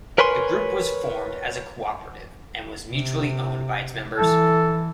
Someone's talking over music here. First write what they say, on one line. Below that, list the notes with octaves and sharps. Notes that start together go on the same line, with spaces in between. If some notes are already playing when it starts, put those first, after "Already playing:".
The group was formed as a cooperative and was mutually owned by its members.
A#4 B4 C#5 G#5 C6
C3
E3 A4